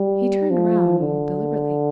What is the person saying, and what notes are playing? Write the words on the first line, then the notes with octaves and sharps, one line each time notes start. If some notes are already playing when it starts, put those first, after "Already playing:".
He turned round deliberately.
Already playing: G3
F3
D3